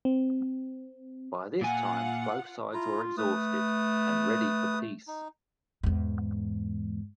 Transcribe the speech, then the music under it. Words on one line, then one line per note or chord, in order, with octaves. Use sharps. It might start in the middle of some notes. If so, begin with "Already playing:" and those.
By this time both sides were exhausted and ready for peace.
C4
A#2 F4 F#5 G#5
E4 F4 A#5
A3 B4 D#6
D#4
E2 G#2